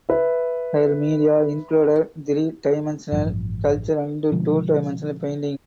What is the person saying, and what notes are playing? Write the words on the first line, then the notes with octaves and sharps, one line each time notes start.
Her media included three dimensional sculpture and two dimensional painting.
B4 E5
A1 G2 F3
B2 D3 F3 G#3